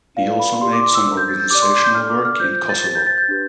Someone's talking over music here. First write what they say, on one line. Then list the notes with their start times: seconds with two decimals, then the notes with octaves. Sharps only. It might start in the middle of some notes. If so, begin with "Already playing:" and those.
He also made some organizational work in Kosovo.
0.16 F4 B4 D5 F5
0.40 B5
0.61 E4 G4 D5 C6
0.73 D6
0.84 D6
0.95 E6
1.06 D4 A4 C5 E6
1.17 G6
1.28 A6
1.40 G6
1.50 G4 D5 D6
1.62 C6
1.73 D6
1.84 G6
1.95 D4 A4 D5 F6
2.10 D6
2.25 F6
2.40 F4 C5 G6
2.55 G6
2.69 A6
2.84 G4 C5 A6
2.95 G6
3.07 A6
3.18 G6
3.29 D4 G4 B4